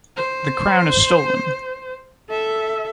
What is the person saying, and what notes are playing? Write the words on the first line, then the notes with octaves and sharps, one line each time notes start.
The crown is stolen!
C5
A4 E5